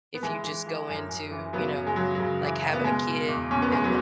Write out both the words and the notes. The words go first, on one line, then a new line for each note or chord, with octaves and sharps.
if you just go into, you know, like having a kid and,
B3
E3 G#3
E3
E3
F#2
F#2
E3
C#3 F#3 B3
F#2
G#3
C#3 F#3
C#3 F#3
E3
C#3
B3
B2 G#3
B2
E2
B2 C#4
B3
E2 G#3
F#3 B3